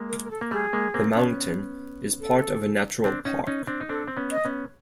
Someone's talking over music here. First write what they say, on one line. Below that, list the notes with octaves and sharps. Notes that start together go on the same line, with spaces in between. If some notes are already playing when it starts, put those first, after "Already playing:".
The mountain is part of a natural park.
Already playing: G#3 A#3
A#4
A#4
A4
A#3
G3 A3 G#4
G#3 A#3
A#3 C4
B3 C#4
A4
C4 D4
C#4 D#4
C#4 D#4
C4 D4
D#4
C4 D4 A4
C4
B3 C#4
D#5
B3 C#4